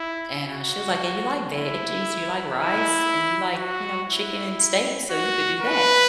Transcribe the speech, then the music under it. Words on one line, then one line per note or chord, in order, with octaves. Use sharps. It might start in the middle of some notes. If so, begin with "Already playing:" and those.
and, uh, she was like, "Hey, you like veggies? You like rice? And you like, you know, chicken and steak. So you could do that."
Already playing: E4
F#4
E4
E4
F#4
E4
F#4
B4